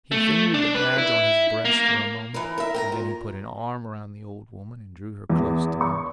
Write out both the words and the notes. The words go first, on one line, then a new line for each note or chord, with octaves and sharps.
He fingered the badge on his breast for a moment, and then he put an arm around the old woman and drew her close to him.
A3
D4
B4
E4
A#3
E3 A#4
A#4 E5
A#4 G5 A#5
A#2
E2
C#6